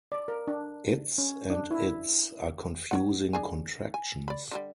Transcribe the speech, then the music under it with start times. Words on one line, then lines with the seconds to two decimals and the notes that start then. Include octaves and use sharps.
It's and its' are confusing contractions.
0.12 D5
0.28 A#4
0.47 D4
1.18 C#4
1.50 D4
1.71 E4
2.91 C#5 D5 F#5
3.33 D4 G#4 G#5
3.94 G#5
4.28 D5 B5
4.51 D3 F#3 G3